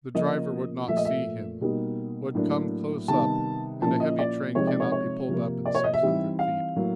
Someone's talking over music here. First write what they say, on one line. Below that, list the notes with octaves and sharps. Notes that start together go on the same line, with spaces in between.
The driver would not see him--would come close up, and a heavy train cannot be pulled up in six hundred feet.
C#3 F3 A#3 D#5
A#2 F3 A3 E5
D#5
E5
B2 G3 A#3 D#4
A2 F#3 A#3 D4
C3 D#3 G3 B3 D#4 A5
A#2 F3 A#3 C#4 E4 A5
D#5
D5
C3 F3 G#3 C4 D#4 C#5
D5
C#5
C#5
C3 F3 A#3
D5
C#5
D#5
E5
E3 G3 C4 D#4
F5
A2 F#3 A#3